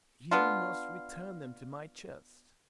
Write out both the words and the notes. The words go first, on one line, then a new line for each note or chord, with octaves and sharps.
"You must return them to my chest."
B3 D4 F4